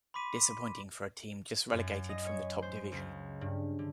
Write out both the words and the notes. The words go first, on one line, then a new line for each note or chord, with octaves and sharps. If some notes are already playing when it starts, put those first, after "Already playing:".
Disappointing for a team just relegated from the top division.
B5 C6 D6 B6 D#7
F#2
D#5
C#5
C5
C#2
G2
D3